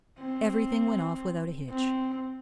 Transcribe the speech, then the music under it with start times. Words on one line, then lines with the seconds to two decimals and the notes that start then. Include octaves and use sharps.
Everything went off without a hitch.
0.19 C4
1.70 C4